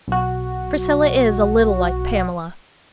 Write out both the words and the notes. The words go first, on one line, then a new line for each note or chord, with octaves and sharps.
"Priscilla is a little like Pamela."
B1 F#4